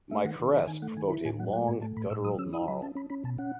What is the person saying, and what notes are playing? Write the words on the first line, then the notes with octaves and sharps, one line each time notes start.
My caress provoked a long, guttural gnarl.
A3 E5
D#3 F#5
D#3
D#3 B5
D#3 G#5
A3 F#5
D#3 G#5
E4 B5
A2 G#5
F#3 F#5
A3 F#5
A2 G#5
A3 A5
A2 B5
A2 E6
F#3 D#6
C#4 E6
E4 D#6
F#3 B5
C#4 A5
C#4 B5
C#4 B5
B2 A5
C#4 F#5